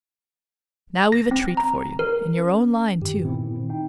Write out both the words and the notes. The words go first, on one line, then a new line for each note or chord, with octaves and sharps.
Now we've a treat for you, in your own line, too.
A#6
C4
A#5
A#4
C#4
G2 D#3 G4
A#2 D#3 B3 C4 E4
D#4 G5